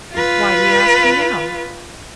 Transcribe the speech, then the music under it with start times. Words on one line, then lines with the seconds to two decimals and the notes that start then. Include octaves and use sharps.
"Why do you ask me now?"
0.13 F4 B4